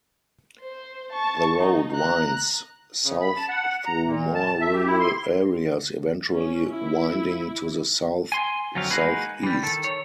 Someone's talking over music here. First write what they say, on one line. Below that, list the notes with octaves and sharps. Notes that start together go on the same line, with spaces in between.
The road winds south through more rural areas, eventually winding to the south-southeast.
C5
A5 C#6
D#4
A#5 F#6
C#3
B5
A5
F#5
A#5
A#2
A5
E5
G4
E4
C6
C#4
E4
G#5 C6
F2 D3 F#3 C4 F5
G#3 A#3 D#4 F#4 G#4 B4
E3 G3
D#3 A4
C#5